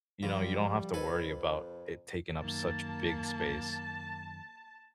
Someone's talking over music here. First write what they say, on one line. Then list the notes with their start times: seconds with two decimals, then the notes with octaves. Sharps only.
you know, you don't have to worry about it taking up such big space.
0.23 C2 F3 G3
0.94 F2 A4 B4 G#5
2.42 F#2 D#3 A#3 A5